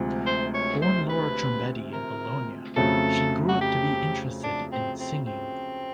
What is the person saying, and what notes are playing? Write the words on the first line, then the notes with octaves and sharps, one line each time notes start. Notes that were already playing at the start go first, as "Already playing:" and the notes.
Born Laura Trombetti in Bologna, she grew up to be interested in singing.
Already playing: D2 C3 F3 G#3
C5
C#5
C5
B4
A#4
F2 C#3 F#3 A3 A4
F#4
G4
D4
C4
C4
C4